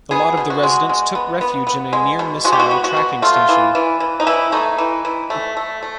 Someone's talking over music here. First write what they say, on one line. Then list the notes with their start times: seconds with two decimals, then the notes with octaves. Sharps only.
A lot of the residents took refuge in a near missile tracking station.
0.11 B3 G#4
0.37 B2
0.50 F#4
0.63 G#3
0.89 G#3
1.15 B3
1.41 B3
1.67 B3
1.93 G#3
2.19 B2
2.44 G#3 F#4
2.53 G4
2.59 F#4
2.71 B3
2.84 F#4
2.97 B2
3.22 A3 F4
3.49 E3
3.75 E3
4.00 E3
4.20 D#4
4.27 E3 E4
4.52 A3 D#4
4.78 E3
5.05 E3
5.30 A3
5.57 A3
5.82 A3